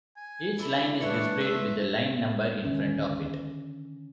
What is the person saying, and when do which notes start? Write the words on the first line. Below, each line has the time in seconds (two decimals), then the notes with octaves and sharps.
Each line is displayed with a line number in front of it.
0.16 G#5
0.59 D4 E4 A4 B4
1.01 E3 G#3 D4 E4 B4 C#5 C#6
1.41 A3 C4 E5
2.65 D3 D#3 C#4